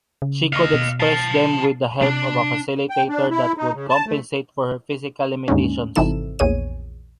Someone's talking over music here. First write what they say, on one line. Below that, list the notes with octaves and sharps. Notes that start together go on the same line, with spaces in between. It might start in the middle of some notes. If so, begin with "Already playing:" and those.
She could express them with the help of a facilitator that would compensate for her physical limitations.
C#3
D#5 F5
B2
F5 A5
C3 D4
G5
D4
E4
D#4
C#3
A5
A3
D#2 G#2 D3 D#3 C#4
G#1 C3 E3 D#4 A4 E7
A#1 E2 G#4 C#5 D#7